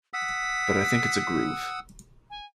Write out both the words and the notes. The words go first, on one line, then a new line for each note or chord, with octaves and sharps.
But I think it's a groove.
F#5 D#6 E6 B6
G#5